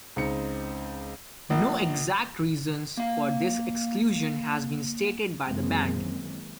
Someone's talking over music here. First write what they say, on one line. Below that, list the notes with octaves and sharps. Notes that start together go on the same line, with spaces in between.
No exact reasons for this exclusion has been stated by the band.
C#2 C4 D#4 C#7
A#1
A#3 F5
F#2 D#3 E3 G#3 A#3 C4